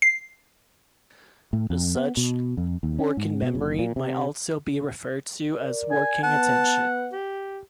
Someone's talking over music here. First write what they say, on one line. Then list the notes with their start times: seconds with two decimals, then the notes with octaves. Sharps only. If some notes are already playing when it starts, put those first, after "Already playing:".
As such, working memory might also be referred to as "working attention".
0.02 C7
1.53 A2
1.70 F2
1.95 B3
2.17 B2
2.57 F2
2.83 D#2
2.99 C#4
3.17 G#2
3.42 B2
3.55 F#1
3.79 A#2
3.96 C3
5.53 A#4 D5
5.92 G#5
6.23 B3 B4 F#5 A5
7.12 G4